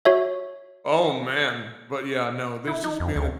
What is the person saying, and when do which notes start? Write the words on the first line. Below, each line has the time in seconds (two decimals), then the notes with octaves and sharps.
Oh, man. But yeah, no this has been
0.05 F#4 C#5 E5
2.67 E4
2.84 D#4
3.00 F2
3.16 D2